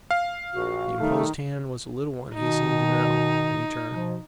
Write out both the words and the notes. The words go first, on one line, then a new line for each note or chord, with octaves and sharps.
The imposed hand was a little one he seemed to know, and he turned.
F5
A#1 F#4
D#3 G3 A3
B2 D#3 D#4
B2 F3